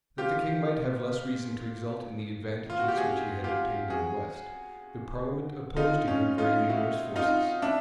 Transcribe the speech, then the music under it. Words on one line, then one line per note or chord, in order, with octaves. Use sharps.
That the king might have less reason to exult in the advantages which he had obtained in the west, the parliament opposed to him very numerous forces.
F4 G4
F4
F#4
G4
F#4 G#4
F4 G4
F#4 G#4
D#4 F4
C#4 D#4
D#4 F4
E4 F#4
D#4 F4
D4 E4